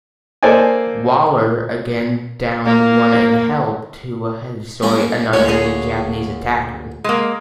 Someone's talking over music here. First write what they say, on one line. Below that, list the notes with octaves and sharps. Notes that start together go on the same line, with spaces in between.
"Waller" again downed one and helped to destroy another Japanese attacker.
A#3 A4 C5 D5 D#5 G#5
A#3
G3 A#3 C#4
D2 A#2 D3 C#5
G#4 C#5
G#3 A#3